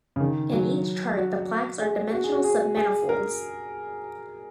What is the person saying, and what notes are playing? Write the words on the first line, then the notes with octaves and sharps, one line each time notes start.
In each chart, the plaques are dimensional submanifolds.
C#3
D#3
F#3
F#4
G#4
F#4
G#4
F#4
G#4
G#4
A#4